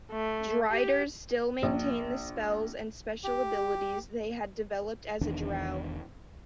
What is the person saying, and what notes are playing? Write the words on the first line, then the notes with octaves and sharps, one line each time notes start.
Driders still maintain the spells and special abilities they had developed as a drow.
A3
G4
A#1
G4
E1 E2 D#3 D4